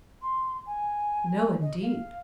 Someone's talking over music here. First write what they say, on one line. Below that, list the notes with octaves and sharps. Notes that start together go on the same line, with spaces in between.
No, indeed!
C6
G#5
D#5
F5